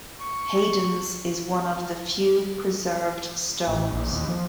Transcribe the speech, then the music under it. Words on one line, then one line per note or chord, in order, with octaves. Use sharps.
Haydon's is one of the few preserved stones.
C#6
A1
A#1
D#2
F3